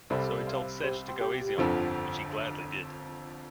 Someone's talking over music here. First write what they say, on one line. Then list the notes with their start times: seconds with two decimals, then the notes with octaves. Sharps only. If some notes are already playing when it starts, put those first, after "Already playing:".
So he told Sedg to go easy on them, which he gladly did.
0.10 C2 C3 G3 C4 A4 D5
0.47 C5 F5
0.84 G4 C5
1.08 G4 C5
1.21 G4
1.58 G1 F2 D3 F3 C4 F4